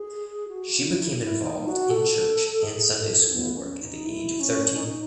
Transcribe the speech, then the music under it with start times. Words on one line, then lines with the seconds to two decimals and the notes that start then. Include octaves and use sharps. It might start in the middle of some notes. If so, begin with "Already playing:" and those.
She became involved in church and Sunday school work at the age of thirteen.
Already playing: G#4
0.48 F#4
0.84 E4
1.19 E4
1.43 D#4
1.67 F#4
1.90 A4
2.62 G#4
2.98 A4
3.28 C#4
3.34 B3
3.56 C#4
3.80 D#4
4.05 E4
4.40 C#4
4.76 D#4